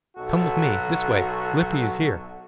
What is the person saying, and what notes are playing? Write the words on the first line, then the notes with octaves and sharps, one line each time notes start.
"Come with me--this way--Lippy is here!"
B1 F#3 F#4 A4